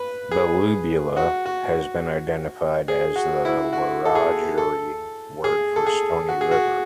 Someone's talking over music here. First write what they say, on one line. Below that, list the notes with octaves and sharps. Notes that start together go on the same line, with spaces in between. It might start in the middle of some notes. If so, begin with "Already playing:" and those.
"Belubula" has been identified as the Wiradjuri word for "stony river".
Already playing: B4
G#4
F#4
F#4
G#4
F#4
E4
F#4
A4
G#4
A4
G#4
A4
G#4
F#4
G#4
F#4